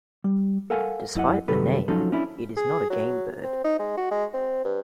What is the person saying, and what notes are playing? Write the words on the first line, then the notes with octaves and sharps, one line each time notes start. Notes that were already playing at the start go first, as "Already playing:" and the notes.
Despite the name, it is not a game bird.
G3
A4 A#4 F5 F#5 G#5
F#2 E4 D#5 F#5
F#2 C3 D#3 G3 A4 B4
F3 F#3 C#4 D#4 A4
C#4 D4 E4
G#4
F#3
C4
D#4
G#3
F#4
G#3
C4
G2